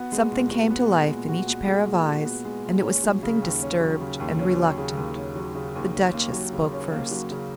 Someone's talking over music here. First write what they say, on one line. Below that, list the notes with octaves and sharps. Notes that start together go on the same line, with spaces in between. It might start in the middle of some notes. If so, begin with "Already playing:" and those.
Something came to life in each pair of eyes and it was something disturbed and reluctant. The Duchess spoke first.
Already playing: B3 F#4
G#3
A#2
F#4
B3
G#3
A#2
F#4
B3
G#3
A#2
F#4
B3
G#3
A#2
C#4
F#3
C#3
D#2
C#4
F#3
C#3
D#2
C#4
F#3
C#3
D#2
C#4
F#3
C#3
D#2
C#4
A#3
F#3
C#3
C#4
A#3
F#3
C#3